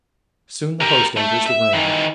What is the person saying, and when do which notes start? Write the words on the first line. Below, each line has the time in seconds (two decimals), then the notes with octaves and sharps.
Soon the host enters the room.
0.81 G4 A#4
1.17 A3
1.46 E5
1.73 D#3 E3